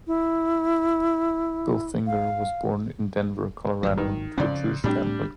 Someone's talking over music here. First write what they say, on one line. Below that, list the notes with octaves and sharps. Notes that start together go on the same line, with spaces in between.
Bill Finger was born in Denver, Colorado, to a Jewish family.
E4
F5
G#1 A#2 F#3
D#3
F2 C#3 C#4 D5
A2 G3 A3 C4 D4 G4